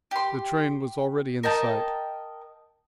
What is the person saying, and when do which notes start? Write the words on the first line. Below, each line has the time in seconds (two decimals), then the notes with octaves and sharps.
The train was already in sight.
0.11 G4 C6
1.43 A#4 D#5 G5 A5